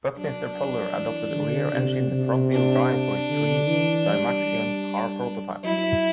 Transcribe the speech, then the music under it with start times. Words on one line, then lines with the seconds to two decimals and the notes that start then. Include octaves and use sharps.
Buckminster Fuller adopted rear-engine, front wheel drive for his three Dymaxion Car prototypes.
0.17 F#3 D4
0.94 E3
1.35 D3
1.74 C3
2.12 C3
2.52 D4
3.30 D3
3.68 E3
4.08 G3
4.46 G3
5.64 F#3 E4